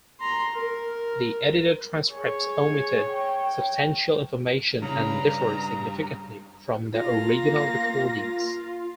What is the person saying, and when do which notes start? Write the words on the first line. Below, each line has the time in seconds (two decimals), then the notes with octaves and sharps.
The edited transcripts omitted substantial information and differed significantly from the original recordings.
0.20 A#5 C6
0.55 A#4
2.10 G#4 C#5
3.09 G5
4.82 G2 C#3 A#5 B5
6.94 A#3 F4 F5 A#6